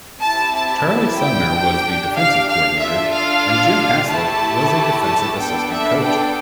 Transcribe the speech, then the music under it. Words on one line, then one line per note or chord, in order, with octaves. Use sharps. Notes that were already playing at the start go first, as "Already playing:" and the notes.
Charlie Sumner was the defensive coordinator and Jim Haslett was a defensive assistant coach.
C4 E4 G4 A5
A5
A5
G5
D4 G4
F5
F5
D4 F4 A4 E5
F5
A3 E4 G4 A5
A5
B3 D4 A4 G5
E5
G5